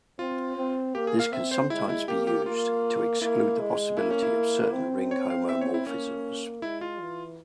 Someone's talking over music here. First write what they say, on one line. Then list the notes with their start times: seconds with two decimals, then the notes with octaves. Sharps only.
This can sometimes be used to exclude the possibility of certain ring homomorphisms.
0.19 C4 F4
0.57 C4
0.95 A#3 G4
1.07 G#4
1.20 F5
1.32 C4 E5
1.51 C5
1.70 G#3 E4
1.89 E4
2.08 A#3 G4
2.27 G4
2.46 A#3 F4
3.22 A#3 E4
3.60 G#3
3.97 A#3 E4
4.10 C#4
4.23 E4
4.73 C4
5.11 C#5
5.30 F5
5.49 E5
5.61 C#5
5.74 E4
5.87 A#3 C#4
6.62 G#3 E4
6.81 F4
7.00 E3